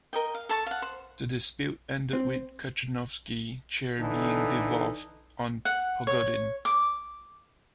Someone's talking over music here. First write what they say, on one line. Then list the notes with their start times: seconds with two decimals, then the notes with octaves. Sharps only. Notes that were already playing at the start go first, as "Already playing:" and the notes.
The dispute ended with Kachenovsky's chair being devolved on Pogodin.
0.13 A#4 D#5 G5
0.35 F5
0.49 A4 A5 C#6
0.66 F5 F#5
0.82 C5
2.13 C4
4.00 D3 E3 D#4 A4
5.65 F#5
6.07 C#5
6.65 D6